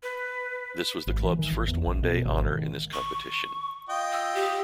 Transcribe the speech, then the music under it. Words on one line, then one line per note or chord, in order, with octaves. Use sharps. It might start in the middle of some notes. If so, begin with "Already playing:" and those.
This was the clubs first one day honour in this competition.
B4
G#1
E3
D#3
G#1
E2
A#1
B2
G#1
D#3
C#6
F4 D#5 G5
E6
G4